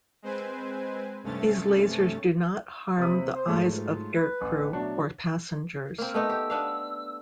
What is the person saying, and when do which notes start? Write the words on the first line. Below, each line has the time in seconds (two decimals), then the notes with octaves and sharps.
These lasers do not harm the eyes of aircrew or passengers.
0.22 G#3 C4 B4 C5 G#5
1.23 G2 C3 A3 C#4 A6
2.97 D#2 C3 F#3 C4 B5 D#6
3.34 C5
3.47 G#2 F#3 G#3 A3 F4
4.14 B4
4.41 A1
4.73 B2 F#3 A3 B3 D4
5.98 A#3 C4 F6
6.14 A3 B3 D#4 E6
6.29 G4
6.50 B3 D4 F5